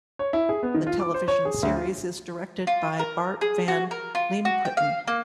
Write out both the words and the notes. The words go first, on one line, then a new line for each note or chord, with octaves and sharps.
The television series is directed by Bart Van Leemputten.
C#5
E4
G#4
B3
D#3
F4
D6
C5
C#5
G#4
D2
F4
F4
A#4
G#4
F#4
A#4
F4
F#4
G5
F5
A#3